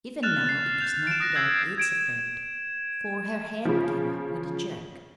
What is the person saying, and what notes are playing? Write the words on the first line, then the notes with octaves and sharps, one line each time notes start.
Even now it was not without its effect, for her head came up with a jerk.
F6 F#6 A6 E7 F7
A6 C7
G6 F7
D7 E7
D#6 F#6 A#6 D7
E6 G#6 A6 C7
G#6 D7 E7
C#3 F3